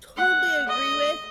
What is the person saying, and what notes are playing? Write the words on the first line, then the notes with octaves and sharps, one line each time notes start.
totally agree with,
F#5
D#5